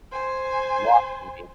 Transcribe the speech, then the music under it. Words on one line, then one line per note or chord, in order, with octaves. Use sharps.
watching me.
C5 G#5